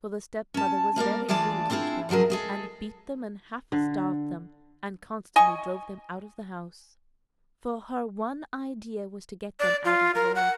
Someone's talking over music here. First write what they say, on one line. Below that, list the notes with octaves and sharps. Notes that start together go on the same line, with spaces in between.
For the step-mother was very cruel to the twins, and beat them, and half-starved them, and constantly drove them out of the house; for her one idea was to get them out of the way.
C#4 A5
G3 A#3 A#4 D5
D2 E3 G#3 F4 D5 A5
C4 D4 E4 F4 G#4
C#3 F3 F#3 G#4 A#4
G#3 G#4 A4
D3
D#5 G#5 C#6
D5
F4
A#4
F#5